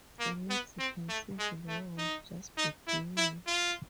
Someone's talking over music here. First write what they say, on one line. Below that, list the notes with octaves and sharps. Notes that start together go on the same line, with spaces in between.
The Mexican Civil War was just beginning.
A#3
B3
C4
A3
G#3
A3
D#4
D#4
E4
E4
F4